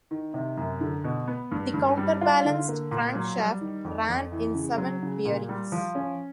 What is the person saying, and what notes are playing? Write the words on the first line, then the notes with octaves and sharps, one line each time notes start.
The counterbalanced crankshaft ran in seven bearings.
D#3
C3
F#2
D3
B2
B3
G2
G2
G3
F4
D3
A#3
A#2
F#3
G3
D#3
F2
F2
E3
C#3
F#3
C#3
A#2
G3
F3
C#4